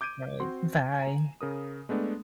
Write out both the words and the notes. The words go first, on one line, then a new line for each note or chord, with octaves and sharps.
Right, bye.
D6 G6 G#6 D7 D#7
C4 F#4 C6
G#5 A#5
C#3 A#4 D#6
G#3 A3 B3 D4